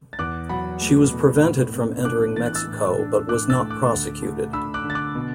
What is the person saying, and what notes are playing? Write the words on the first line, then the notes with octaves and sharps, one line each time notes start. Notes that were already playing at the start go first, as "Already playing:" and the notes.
She was prevented from entering Mexico, but was not prosecuted.
A6
E2 D6 F#6
F#3 F#5 B5
A3
B2
A2
B3
D4 D6 F#6
E3 A6
F#6
E6 A6
A2
D4
A2 D6 F#6
E6 A6
A3
D6 F#6
D2
A3
D4 B5 E6
D6 F#6
D3
A6
D6 F#6
B2